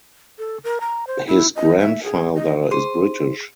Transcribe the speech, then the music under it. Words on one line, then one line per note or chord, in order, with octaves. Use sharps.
His grandfather is British.
A4
A#4
A#5
C5
E4
D#5
E5
G#4
D#5
G#4 C5 D#7